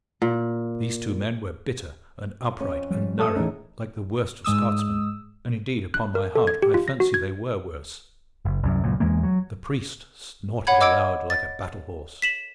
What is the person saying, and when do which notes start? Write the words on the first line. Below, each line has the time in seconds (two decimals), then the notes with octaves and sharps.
These two men were bitter and upright and narrow, like the worst of Scotsmen, and indeed, upon my heart, I fancy they were worse. The priest snorted aloud like a battle-horse.
0.22 A#2
2.60 F2 C#4
2.91 F3 G3
3.19 A3 A4 D#6
3.36 A2 E3 C#4 D#4 G#4
4.44 G#2 G#3 D#6 E6
5.94 F#6
6.15 A#4
6.35 A4
6.47 G#6
6.62 G4
6.74 F4
6.88 A#6
7.00 F#4
7.14 G#6
8.45 F#1
8.63 C2 F#2
8.84 C#2 F#2 A#2
9.00 E2 E3 G#3 A#3
9.23 F#3
10.67 C#5 F#5 B5 G#6
10.81 D#5 D6 E6 G#6 D7
11.30 A6
12.22 B6 E7 F#7